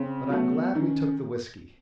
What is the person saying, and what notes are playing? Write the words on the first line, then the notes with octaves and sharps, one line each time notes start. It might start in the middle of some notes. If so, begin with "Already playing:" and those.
But I'm glad we took the whisky.
Already playing: C#3 C4
F#3 A3 B3
D#3 C#4